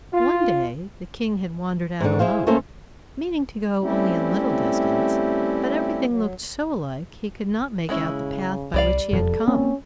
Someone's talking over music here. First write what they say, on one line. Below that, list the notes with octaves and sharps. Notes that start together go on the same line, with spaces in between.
One day the king had wandered out alone, meaning to go only a little distance, but everything looked so alike he could not make out the path by which he had come.
F4
G#2 D3
E4 G#4 C5 F5
A3 A#3 C#4 A4 C5 E5
G3 A3 C4 C#4 E4 G4
F#3
C#3 G#3 C#4 E4
C2 G3 D5 F5
E1 F2 F3 A4
A#3 C4 C#4